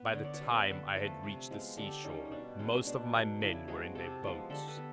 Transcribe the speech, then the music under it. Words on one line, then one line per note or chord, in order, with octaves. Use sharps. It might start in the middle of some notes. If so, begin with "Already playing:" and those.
By the time I had reached the seashore, most of my men were in their boats.
Already playing: B3
D3 C#5
D5
B4 C#5
G3 B3
D3 A4 B4
F3 A3 A4 B4
C3
F3 G#3 B3
D3 G4 A4
G3 A#3 C#4 D#4
D#4
B2 D4
G#3 B3 C#4
B2 D4
F#3 B3
C#3 D4 E4
F3 G#3 B3 F#4 G#4
C3 G4 A4
F3 G#3 B3
D3 G4 A4
A4 B4
B3